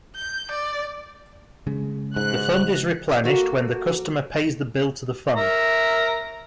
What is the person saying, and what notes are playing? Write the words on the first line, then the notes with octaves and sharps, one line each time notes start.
The fund is replenished when the customer pays the bill to the fund.
G6
D5
C#3 G#3
G#2 F#6
A#3 F#4 A4
A#4 E5 A#5